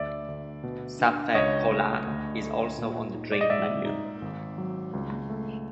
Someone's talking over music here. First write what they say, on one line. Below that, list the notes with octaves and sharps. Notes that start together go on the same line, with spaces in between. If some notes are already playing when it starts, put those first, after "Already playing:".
Ca Phe Cola is also on the drink menu.
Already playing: D2 D5 E5
D2
B2
D4
C#2 C#5 D#5
A3
D2
A3
A#2
D#4
D5
D#5
G#2 D5 E5
D#4
G#1
F#3
C#2
A3